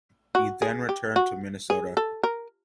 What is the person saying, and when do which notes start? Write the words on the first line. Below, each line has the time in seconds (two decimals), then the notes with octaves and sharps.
He then returned to Minnesota.
0.35 F#4
0.62 G#4
0.89 G4
1.16 F#4
1.70 G#4
1.97 A4
2.23 A#4